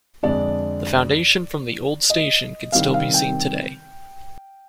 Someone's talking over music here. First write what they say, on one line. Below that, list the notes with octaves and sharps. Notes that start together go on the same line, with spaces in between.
The foundation from the old station can still be seen today.
F2 D3 G#3 D4 D5
D#5
C3 D#3 G3 C4 F5
F5
G5